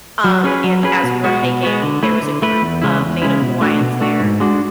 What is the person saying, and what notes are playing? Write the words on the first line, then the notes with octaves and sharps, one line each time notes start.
um, and as we were hiking, there was a group of native Hawaiians there
F#3
C#4 G#4 B4
F#3
C#4 G#4 B4
B2
G#3 B3 F#4
B2
G#3 B3 F#4
D3
A3 E4 B4
D3
A3 E4 B4
E2
C#3 G#3 C#4 E4
E2
C#3 G#3 C#4 E4
B2
A3 D4 F#4
B2
A3 D4 F#4
G#2
G#3 D4 F#4